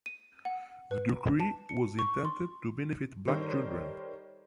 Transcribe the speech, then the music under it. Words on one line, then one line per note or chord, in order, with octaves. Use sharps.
The decree was intended to benefit black children.
D#7
F#5
B4
A5
C#7
C#6
C6
D#3 G3 A4 A#4 C5 C#5